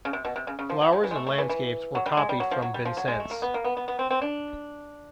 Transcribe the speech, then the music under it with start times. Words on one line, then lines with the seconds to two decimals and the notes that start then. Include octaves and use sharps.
Flowers and landscapes were copied from Vincennes.
0.05 C#3
0.13 C3
0.25 B2
0.36 C3
0.47 C#3
0.59 C#3
0.70 F3
0.81 F#3
0.93 F3
1.04 E3
1.11 G#3
1.16 A3
1.27 A3
1.38 E3
1.49 E3
1.95 F#3
2.06 G3
2.17 G#3
2.29 G3
2.40 F#3
2.51 F3
2.62 F#3
2.74 G3
2.85 F3
2.97 F#3
3.08 G#3
3.20 A3
3.31 A#3
3.42 B3
3.54 A#3
3.64 B3
3.77 B3
3.88 B3
3.99 C4
4.11 C4
4.22 D4